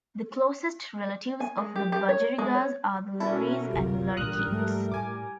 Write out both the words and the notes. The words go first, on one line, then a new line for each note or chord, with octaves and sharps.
The closest relatives of the budgerigar are the lories and lorikeets.
G#5
G#3
G4
G4
C#5
G#3
C#5
B2 C#4 E4 F#4 A4 A#4
F#1 D2 C3 G3 F4 A#4
A1 A#2 D3 D#6 F6 F#6
G#2 F3 A3
A2 G#5 D6